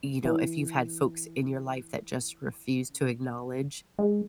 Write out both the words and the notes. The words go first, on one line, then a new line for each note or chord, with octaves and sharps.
you know, if you've had folks in your life that just refuse to acknowledge
E3
C#3
F#3
G#3